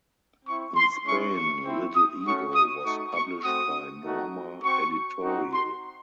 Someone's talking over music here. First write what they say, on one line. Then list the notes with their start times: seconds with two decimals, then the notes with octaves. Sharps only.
In Spain, Little Ego was published by Norma Editorial.
0.46 C4 E4 C#6
0.76 C6
1.05 G#3 C#4 E4 C#6
1.35 C#6
1.65 C4 E4
1.95 D#6
2.25 A3 C#4 F#4 C#6
2.54 D#6
2.84 A3 D#4 F#4 C#6
3.14 C#6
3.44 A3 C4 F#4 D#6
4.03 A3 D#4 F#4
4.63 C4 F#4 C#6
5.23 C4 D#4 F#4
5.53 C6